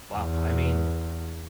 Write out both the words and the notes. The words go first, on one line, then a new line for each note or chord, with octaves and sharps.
Wow, I mean,
E2